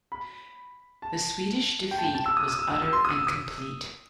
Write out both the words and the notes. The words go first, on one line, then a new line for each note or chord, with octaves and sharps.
The Swedish defeat was utter and complete.
B5
A5
G5
A5
G5
A5
E6
D#6
D#6
E6
E6
E6
C6
D#6
E6
D#6